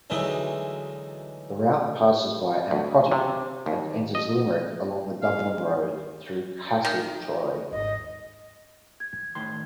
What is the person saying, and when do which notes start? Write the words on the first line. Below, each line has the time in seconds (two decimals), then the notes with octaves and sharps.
The route passes by Annacotty, and enters Limerick along the "Dublin Road" through Castletroy.
0.10 D2 E3 F#3 G#3 D#4 E5
2.71 D2
3.12 C3
3.66 D#2
4.15 D#5
5.22 F5
6.85 D#3
7.71 G#1 D#2 D#5
9.00 G#6
9.35 A2 D#3 C6